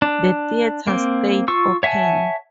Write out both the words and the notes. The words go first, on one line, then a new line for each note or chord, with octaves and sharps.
The theatres stayed open.
D4
A#3 C4
F4 C#6 E6
C#5 E5 F#5 G#5 A5